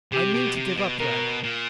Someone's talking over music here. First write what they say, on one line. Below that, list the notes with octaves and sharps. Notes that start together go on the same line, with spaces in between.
I mean to give up riding.
C3 G4
B2
C3
B2
B2 A#4
A#2